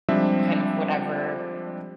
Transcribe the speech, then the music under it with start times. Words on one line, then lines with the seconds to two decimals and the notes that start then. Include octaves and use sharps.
kind of whatever
0.09 F3 G3 G#3 C4 D4 E5